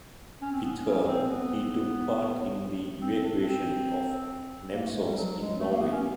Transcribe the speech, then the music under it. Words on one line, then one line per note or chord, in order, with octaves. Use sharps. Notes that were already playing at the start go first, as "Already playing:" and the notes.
With her he took part in the evacuation of Namsos in Norway.
C#4
C4
B3
C#4
C4
B3
C4
D4
C4
A#3
A3
G#3
G3
F#3
G#3
A3
A#3
B3
C#4